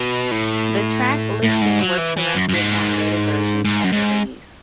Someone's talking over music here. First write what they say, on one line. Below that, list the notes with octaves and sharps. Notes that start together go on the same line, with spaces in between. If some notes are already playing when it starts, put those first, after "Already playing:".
The track listing was corrected on later versions of the release.
Already playing: B2
A2
A2
G#2
F#3
E3
E3
F#2
F#2
G#2
G#2
F#2
G#2